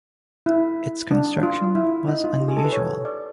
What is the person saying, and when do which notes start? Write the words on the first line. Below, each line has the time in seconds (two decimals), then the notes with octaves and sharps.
Its construction was unusual.
0.46 E4
1.11 D4
1.43 F4
1.75 E4
2.08 D#4
2.24 F4
2.40 G4
2.48 G#4
2.57 A4
2.64 B4
2.72 C#5
3.05 D5